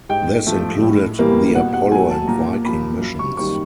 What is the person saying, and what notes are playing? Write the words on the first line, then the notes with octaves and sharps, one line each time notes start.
This included the Apollo and Viking missions.
G#2 G5
F3 A3
A2
E3 G3 A#3
B2 F#5
F#5
F#3 A3 G#5
A5
A#2 A#5
F3 A#3 B5
F#2
C#6
D#3 G3 A#3 C#6